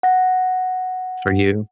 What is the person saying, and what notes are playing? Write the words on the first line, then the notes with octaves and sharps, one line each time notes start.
for you.
F#5 A#6